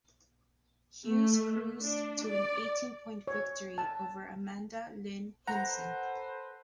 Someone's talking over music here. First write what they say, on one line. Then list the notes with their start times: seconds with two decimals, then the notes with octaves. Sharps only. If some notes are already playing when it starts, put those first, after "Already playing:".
Hughes cruised to an eighteen point victory over Amanda Lynn Hinson.
1.07 A3
1.81 D4
2.26 D5
3.28 C#5
3.78 A5
5.47 A4 B4 C5 F#5 A#5